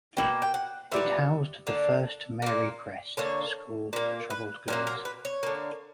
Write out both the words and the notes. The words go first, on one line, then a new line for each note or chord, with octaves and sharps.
It housed the first Marycrest School for troubled girls.
B2 A#3 G5
G5
F#5
A#2 G3 B3 E5
D3 A#3
A#2 A#3
D3 A#3 C#5
A#2 A#3
B4
A#2 F#3 A#3 A#4
A#4
B4
C#5
D3 A#3